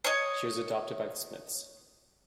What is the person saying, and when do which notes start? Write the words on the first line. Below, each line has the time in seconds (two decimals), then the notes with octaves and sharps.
She was adopted by the Smiths.
0.04 C#5 D#5